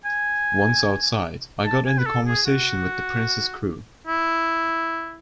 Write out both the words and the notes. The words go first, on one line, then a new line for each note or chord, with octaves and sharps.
Once outside I got into conversation with the Prince's crew.
G#5
A5
G#5
B4
A4
G#4
F#4
E4